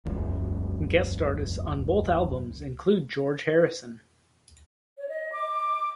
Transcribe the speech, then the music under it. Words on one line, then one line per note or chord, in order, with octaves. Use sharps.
Guest artists on both albums included George Harrison.
E1 C#2 F#2
C#5
D#5
D6